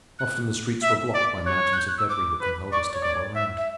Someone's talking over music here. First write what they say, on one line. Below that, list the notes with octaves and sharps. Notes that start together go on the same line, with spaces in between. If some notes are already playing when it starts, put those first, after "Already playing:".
Often the streets were blocked by mountains of debris that compelled us to go around.
F#6
E5
D5
C#5 F#6
F#6
G6
F#6
E6
D6
B4
D5 C#6
D5
C#5
D5
E5
E5